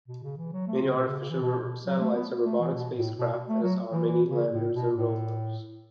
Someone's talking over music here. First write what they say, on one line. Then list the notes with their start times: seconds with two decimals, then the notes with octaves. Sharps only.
Many artificial satellites are robotic spacecraft, as are many landers and rovers.
0.08 B2
0.23 C#3
0.38 E3
0.53 F#3
0.67 A3
0.82 C#3
0.97 B2
1.08 C#3
1.19 C#3
1.30 E3
1.41 B2
1.64 B2
1.86 F#3
2.00 A3
2.15 B3
2.45 A3
2.60 E3
2.75 B2
2.96 A2
3.18 B2
3.33 B2
3.49 A3
3.63 F#3
3.92 E3
4.08 E3
4.29 C#3
4.52 A2
4.74 B2
4.96 A2